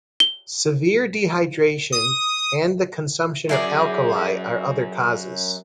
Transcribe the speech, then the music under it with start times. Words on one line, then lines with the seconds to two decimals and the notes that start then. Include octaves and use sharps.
Severe dehydration, and the consumption of alkali are other causes.
0.20 G7
1.92 D#6
3.49 F#2 E4 F#4 G#4 D5